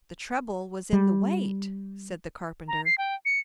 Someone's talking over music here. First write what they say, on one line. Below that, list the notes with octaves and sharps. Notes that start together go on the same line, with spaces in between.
"The trouble was in the weight," said the carpenter.
G3
A#5
C7
G5
C#7